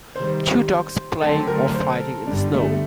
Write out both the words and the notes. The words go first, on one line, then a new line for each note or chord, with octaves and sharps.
Two dogs playing or fighting in the snow.
C3 D#3 G3 C5
D3 F#3 A3 C4 A4
A#4
C5
G1 G2 D3 G3 D4
A3
A3